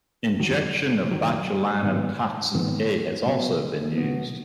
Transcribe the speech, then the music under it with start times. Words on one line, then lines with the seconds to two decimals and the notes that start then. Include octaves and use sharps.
Injection of botulinum toxin A has also been used.
0.40 F#2 D#3 F#3
1.11 F#2 D#3 F#3
1.83 G#2 D#3 B3
2.54 G#2 D#3 B3
3.26 B2 F#3 B3
3.98 B2 F#3 B3